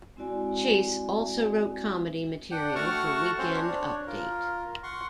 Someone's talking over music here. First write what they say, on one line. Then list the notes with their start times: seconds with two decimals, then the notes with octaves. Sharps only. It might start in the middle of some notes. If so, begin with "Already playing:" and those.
Chase also wrote comedy material for Weekend Update.
0.16 G#3 C4 E4 F#4 D5 G#5
2.51 D4 F#5 G5
2.75 A3 F#4 F#5 A5 C#6 F6
3.38 C4 C#4 F#4 C5
3.56 D4 C#5
4.07 F4 A#4
4.83 F#5 C6 C#6